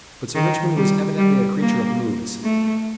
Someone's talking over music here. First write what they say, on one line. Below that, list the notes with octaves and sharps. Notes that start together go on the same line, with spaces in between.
But Sir Richmond was evidently a creature of moods.
D#3
G3
G3
A#3
A3